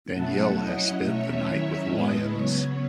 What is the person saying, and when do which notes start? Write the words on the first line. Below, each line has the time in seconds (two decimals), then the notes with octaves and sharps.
Danielle has spent the night with lions.
0.12 B2 F#3 A3 C#4 E4 F#5 A5
0.56 F#3 C#4 E4 D#5 F#5
1.00 B2 F#3 A3 C#4 C#5 E5
1.44 D#3 F#3 C#4 E4
1.87 A2 G#3 B3 E4 B4 D#5
2.32 C#3 F#3 B3 C#5